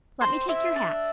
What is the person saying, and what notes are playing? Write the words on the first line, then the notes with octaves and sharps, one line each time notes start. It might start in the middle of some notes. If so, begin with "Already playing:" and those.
Let me take your hats.
C4 C5
E4 E5
D4